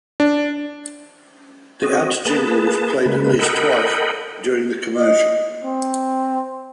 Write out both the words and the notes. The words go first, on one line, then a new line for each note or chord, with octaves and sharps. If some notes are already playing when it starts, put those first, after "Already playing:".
The ads' jingle was played at least twice during the commercial.
D4
C4 F#4 D#5
A#3 G#4 B4 A5
C#3 G#3 A#3 B4
A4 A#4 D#5 F#5 G5 B5
D#5
C4